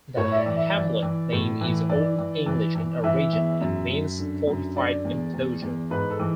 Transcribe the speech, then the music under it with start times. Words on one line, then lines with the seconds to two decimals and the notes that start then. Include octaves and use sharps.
The hamlet name is Old English in origin, and means 'fortified enclosure'.
0.17 A2 C#5
0.32 E5
0.36 D5
0.46 E3
0.56 E5
0.75 E3 D5
1.03 E3
1.33 A2
1.61 E3
1.89 E3 D5
2.18 E3
2.46 E3
2.75 E3
3.04 E3 E5
3.33 E2 E5
3.61 F#2
3.90 F#2
4.19 D3
4.47 F#2
4.76 D3 D5
5.05 E2
5.34 E2
5.62 E2
5.90 G#2 B4
6.10 A4
6.20 E3